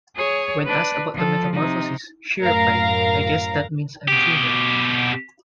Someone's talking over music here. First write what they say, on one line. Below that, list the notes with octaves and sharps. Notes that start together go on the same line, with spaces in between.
When asked about the metamorphosis, she replied, I guess that means I'm female.
G#4 C#5
D4 B4
F3 A4
C3 D#4
F#2 A2 A#4 F5 A#5 A#6
B2 G4